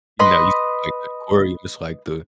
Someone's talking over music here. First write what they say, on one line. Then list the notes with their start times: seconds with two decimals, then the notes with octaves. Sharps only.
you know, you said, like, the aquarium, it's, like, the
0.19 B4 D#5 B5 C6